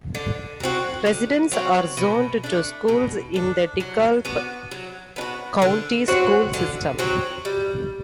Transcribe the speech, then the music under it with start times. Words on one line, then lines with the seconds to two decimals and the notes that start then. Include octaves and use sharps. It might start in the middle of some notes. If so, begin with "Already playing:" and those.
Residents are zoned to schools in the DeKalb County School System.
0.15 D3
0.60 F#3 C4 F#4
1.06 D3
1.52 F#3 C4 F#4
1.97 B2
2.44 A3 D4
2.88 B2
3.34 A3 D4
3.80 F#3
4.25 B3 D4 F#4
4.71 F#3
5.16 B3 D4
5.21 F#4
5.62 D3
6.08 F#3 C4 F#4
6.54 D3
6.99 F#3 C4 F#4
7.45 G3